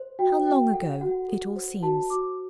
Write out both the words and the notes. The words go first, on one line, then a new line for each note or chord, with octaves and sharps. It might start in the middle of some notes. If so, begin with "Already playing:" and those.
How long ago it all seems.
Already playing: C5
F#4 G5
F#4 G5
A4 F#5
F#4 F#5
A4
C5
F#4 A5
F#4 D6